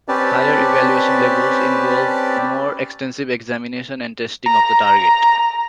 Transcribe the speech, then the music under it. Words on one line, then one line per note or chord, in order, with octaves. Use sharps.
Higher evaluation levels involve more extensive examination and testing of the target.
C4 C#4 G4 B4 D5 A5
A#5